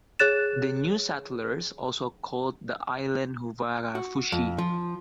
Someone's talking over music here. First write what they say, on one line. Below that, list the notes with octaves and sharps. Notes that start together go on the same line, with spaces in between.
The new settlers also called the island 'Huvarafushi'.
G#4 C#5 F#6 A6 E7
F#4
F2
F3